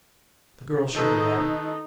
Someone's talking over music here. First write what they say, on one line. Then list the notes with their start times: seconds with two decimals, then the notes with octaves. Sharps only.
The girl shook her head.
0.95 D#3 D#4 A4 B4